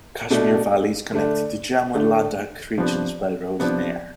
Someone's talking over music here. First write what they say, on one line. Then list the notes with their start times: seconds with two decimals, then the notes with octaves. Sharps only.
Kashmir valley is connected to Jammu and Ladakh regions by road and air.
0.30 B2 A3 D4
1.12 D3 A3 D4
1.94 D3 A3 D4
2.77 C3 F3 B3 D4
3.60 C3 F3 B3 D4